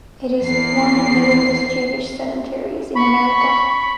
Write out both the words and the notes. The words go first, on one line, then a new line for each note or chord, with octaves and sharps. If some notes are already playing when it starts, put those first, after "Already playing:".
It is one of the oldest Jewish cemeteries in America.
E2 C7
B5 C#6